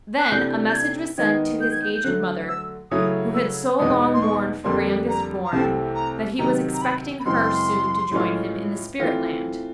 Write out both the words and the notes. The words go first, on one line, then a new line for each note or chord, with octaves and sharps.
Then a message was sent to his aged mother, who had so long mourned for her youngest born, that he was expecting her soon to join him in the spirit land.
F#6
C3 E3 A3 D4 G6
G6
G#6
D#3 G#3 B3 D#4 G#6
G6
G#6
G6
G6
D3 F#3 A3 F#6
E6
C#3 F#3 A3 C#4 E4 D#6
E6
E2 B2 G#3 B3 D#4 D#6
C6
C#6
F2 D3 G3 A#3 D4 C6
A#5
A#5
C2 C3 E3 A3 C4 A5
A#5
C3 D#3 F#3 A#5
A#5
B5
B5
F#2 C#3 E3 G#3 C4 C6
A2 E3 G#3 C#4 F4
E3 A3 C4 F4